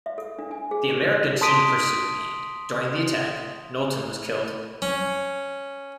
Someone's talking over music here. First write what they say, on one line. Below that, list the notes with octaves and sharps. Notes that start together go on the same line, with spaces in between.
The Americans soon pursued and, during the attack, Knowlton was killed.
E5
A4
D4
G#5
G#4
G4
A5 C6 D#6 B6 D7 D#7
C#4